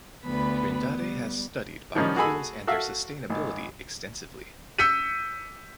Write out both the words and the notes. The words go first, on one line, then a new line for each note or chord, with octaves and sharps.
Trindade has studied biofuels and their sustainability extensively.
D2 B3 B4 B5
G3
D#3 F3 G3 C#4 D#4
F#4 G#4 A4 G#5 B5 E6
F#4 A4 E5 F5
G#1
E6 G6 B6 C#7 D#7